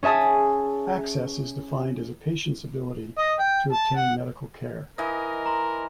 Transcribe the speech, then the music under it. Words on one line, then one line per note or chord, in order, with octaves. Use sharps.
Access is defined as a patient's ability to obtain medical care.
C#4 G#4 E5 A5 D#6
D#5
G5
A5
F#5
E3 A#4 D#5
A#5 C6